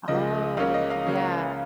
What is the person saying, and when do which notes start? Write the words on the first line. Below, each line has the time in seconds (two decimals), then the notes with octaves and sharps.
Oh, yeah.
0.08 C#2 C#3 F3 A#3 D#5
0.57 C#2 C#3 A#3 C#4 F5
0.74 D#5
0.90 F5
1.06 C#2 C#3 A#3 C#4